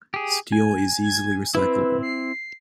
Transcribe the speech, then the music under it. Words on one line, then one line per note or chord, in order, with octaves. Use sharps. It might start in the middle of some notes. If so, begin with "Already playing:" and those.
Steel is easily recyclable.
G4 G#4
G#5
G#6
C4 E4 B4
C7